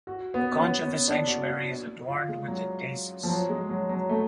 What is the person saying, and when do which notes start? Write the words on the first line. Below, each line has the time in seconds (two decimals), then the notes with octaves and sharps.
The conch of the sanctuary is adorned with the Deesis.
0.07 F#4
0.34 B3
0.51 C#4
0.61 B3
0.87 C#4
1.08 D4
1.28 F#4
1.48 F#4
2.08 F4
2.28 G#3
2.48 F#3
3.23 F3
3.29 F#3
3.49 G#3
3.69 F#3
3.89 F#3
4.09 A3